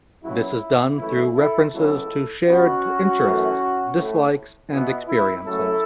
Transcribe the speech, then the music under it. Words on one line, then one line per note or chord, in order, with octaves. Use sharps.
This is done through references to shared interests, dislikes, and experiences.
C#2 C#3 F#3 E4
F#2 E3 A3 E4
E4 A4
C#2 C#3 F#3 B3 E4 A4
B2 B3 C#4 F#4
F#2 E3 A3
A2 A3
B2 B3 E4
E4
F#2 C#3 F#3 A3 E4 A4